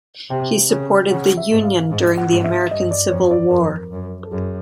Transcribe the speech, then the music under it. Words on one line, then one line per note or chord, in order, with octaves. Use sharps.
He supported the Union during the American Civil War.
C3 G5
C#3
C#3 F#5
E5
G#2
F5
G#2
F#5
G#2
E5
G2 D#5
D5
F2 C#5
D5
F2 A#4
F#2
A4
F#2 G#4